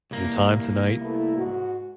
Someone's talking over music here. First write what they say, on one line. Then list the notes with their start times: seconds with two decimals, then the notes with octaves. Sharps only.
your time tonight,
0.11 C2 A#3
1.01 A3 B3 E4
1.37 G#2 F#4